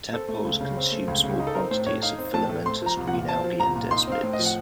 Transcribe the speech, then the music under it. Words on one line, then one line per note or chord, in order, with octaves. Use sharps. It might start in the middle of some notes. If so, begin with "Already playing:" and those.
Tadpoles consume small quantities of filamentous green algae and desmids.
C4 A4
A3
C#2
C#3
C4
A3
C#2
C#3
D#4
A4
C4 A#4
A2 C5
A3 C#5
D#4 F5
C4
A2 A5
A3
C4 C6
F3 A#5
C2
F#5
A#2
C4 A5
F3
C2 A#5
A#2
D#4 C6
C4 F5
A2
D#5
F3
F#5